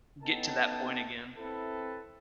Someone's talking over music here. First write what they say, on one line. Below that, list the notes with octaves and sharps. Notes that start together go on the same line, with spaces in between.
get to that point again."
B3 C#4 D#4 A4 G5 A5
C4 E4 A4 B4